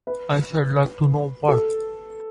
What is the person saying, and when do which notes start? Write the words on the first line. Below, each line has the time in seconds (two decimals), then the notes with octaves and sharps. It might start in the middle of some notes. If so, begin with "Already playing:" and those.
I should like to know what?
0.07 B4
1.49 A4